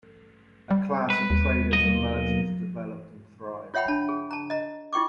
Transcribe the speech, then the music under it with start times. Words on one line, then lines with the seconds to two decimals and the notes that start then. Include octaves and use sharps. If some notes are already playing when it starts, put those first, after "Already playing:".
A class of traders and merchants developed and thrived.
0.71 G3
1.10 B4
1.30 D#2
1.73 B1 A#3 D#5
3.74 F4 C#5 E5 F#5 G5 B5
3.88 D4 A5 B5
4.09 G#4
4.31 A5 A#5
4.50 D#5 A#5
4.93 E4 F4 G5 C#6 D6